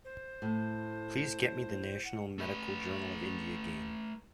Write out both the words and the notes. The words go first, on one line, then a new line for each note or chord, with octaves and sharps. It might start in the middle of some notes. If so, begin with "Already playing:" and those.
Please get me The National Medical Journal of India game.
C5
A2
F#5
A3 B4